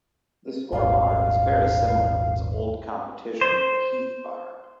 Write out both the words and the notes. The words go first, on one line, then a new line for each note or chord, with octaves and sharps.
The Skor bar is very similar to its old competition the Heath Bar.
D#1 G#1 F5
C5